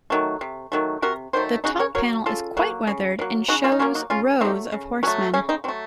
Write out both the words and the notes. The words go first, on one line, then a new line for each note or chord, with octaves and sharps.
The top panel is quite weathered and shows rows of horsemen.
D#3 F#3 A3
C3
D#3 F#3 A3
C3 F#4 A#4
D#3 F#3 A3 C5
C#3 D#4 F#4
A#4 C#5
F#3 A#3 A#4 C#5
C#3 F4 A4
F#3 A#3
C#3
F#3 A#3
C#3 D#4 F#4
C#4 F4
D#4
F#3 A#3 C#4 F4
D#4 F#4
C#3 C#4 F4
F#3 A3 C4 D#4
C#3
F#3 A3 C#4
C#3 C#4
C4 D#4
F#3 A3 C4